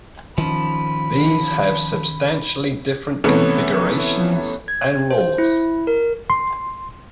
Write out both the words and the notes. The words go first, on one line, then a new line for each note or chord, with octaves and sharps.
These have substantially different configurations and rules.
D#3 F3 C#4 B5
C3 E3 A3 B3 C#4
G#6
C5
E4
A#4
C6